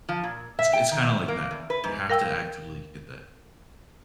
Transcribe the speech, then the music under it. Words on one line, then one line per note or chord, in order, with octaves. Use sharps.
It's it's kinda like that; you have to actively get that.
F3
A#2
E5
G5
D#3
A#3
E2
B4
G#2
A#4 F5 G5 E6